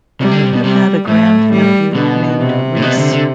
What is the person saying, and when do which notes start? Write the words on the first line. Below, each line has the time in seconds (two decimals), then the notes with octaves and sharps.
He had a grand nephew named reece.
0.20 C3 G3
0.31 D3
0.42 C3
0.53 B2
0.64 C3 G3
1.07 A2 A3
1.52 G3
1.95 B2 D3
2.39 C3
2.77 A2
2.82 B2
2.97 D3
3.12 D3